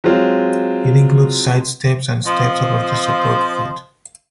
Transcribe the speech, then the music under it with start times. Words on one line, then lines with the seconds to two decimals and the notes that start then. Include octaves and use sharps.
It includes side steps and steps across the support foot.
0.04 F#3 G#3 C4 F4
2.25 F3 C4 C5 D#5 F5 C6